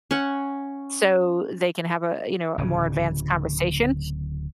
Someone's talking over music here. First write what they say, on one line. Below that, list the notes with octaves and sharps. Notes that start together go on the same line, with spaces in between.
so they can have a, you know, a more advanced conversation,
C#4 F#5
D1 C#3